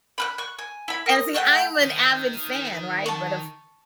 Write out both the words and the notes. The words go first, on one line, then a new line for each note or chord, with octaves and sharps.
And see, I'm an avid fan, right? But of
B5 F6 F#6
C#6 F#6
G#5
E4 B5
A#4 D#6
A3 F#5 G5
D#3
A5 C#6